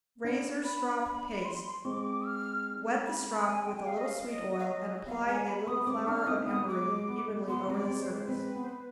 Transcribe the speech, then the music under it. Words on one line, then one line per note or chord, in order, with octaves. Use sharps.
Razor-strop Paste.--Wet the strop with a little sweet oil, and apply a little flour of emery evenly over the surface.
B3 D4
B5
B5
C6
G#3 C4 D6
F6
B5
G#5
G5
F5
D#5
F5
D#5
F5
D#5
B3 F5
G#3 G#5
B5
B3 D#6
G#3 C4 D6
B3 D4 F6
C4 D#4 D#6
B3 D#6
G#3 D6
G#3
B3
G#3
B3 C6
G#3 C4 D#5
D5
G#3 C4
C5
G#3 B4
C5
G#3 C4 B4
B3
C5
B4